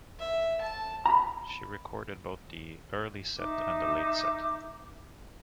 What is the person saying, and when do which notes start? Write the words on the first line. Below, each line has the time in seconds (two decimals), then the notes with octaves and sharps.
She recorded both the early and the late set.
0.19 E5
0.61 A5
1.06 A#5 B5
3.38 D#4 E5 D6